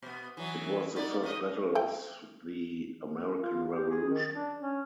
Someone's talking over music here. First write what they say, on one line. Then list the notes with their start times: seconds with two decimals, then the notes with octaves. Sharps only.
It was the first battle of the American Revolution.
0.02 B2 B3
0.37 E3 F#3 B3
0.96 B3 D#4 D5
1.23 G#2 D#5
1.75 A3 G5
3.38 F4
3.73 G4
3.90 G#4
4.09 D#3
4.32 D4
4.58 C#4